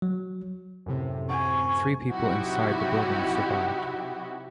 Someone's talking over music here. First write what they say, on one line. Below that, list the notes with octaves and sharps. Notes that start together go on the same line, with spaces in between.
Three people inside the building survived.
F#3
F#2 A2 C3
G#5 C#6
C3 F#3 D#4 E4 F#4 G4